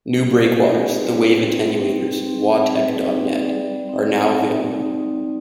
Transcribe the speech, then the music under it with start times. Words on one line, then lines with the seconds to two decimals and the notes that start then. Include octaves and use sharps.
New breakwaters, the wave attenuators - wawtech dot net - are now available.
0.20 G3 G#4
0.34 C5
0.41 B4
0.61 C4 D#4 G#4
0.81 G#4
1.02 G3 B4
1.43 C4 D#4
1.84 G3
2.26 C4 D#4
2.66 G3 G#4
2.86 B4
3.07 C4 D#4
3.27 D5
3.48 G3
3.89 C4 D#4
4.30 G3
4.71 C4 D#4